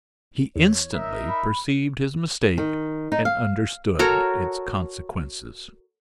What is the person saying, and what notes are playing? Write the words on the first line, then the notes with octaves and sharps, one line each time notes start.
He instantly perceived his mistake and understood its consequences.
E2 C#5
D#4 A#4 E5
B5
D#3
D#4
F5
F#4 A4 A#4 C#5